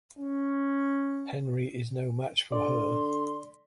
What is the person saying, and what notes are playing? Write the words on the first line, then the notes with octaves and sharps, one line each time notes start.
Henry is no match for her.
C#4
D3 D5 C6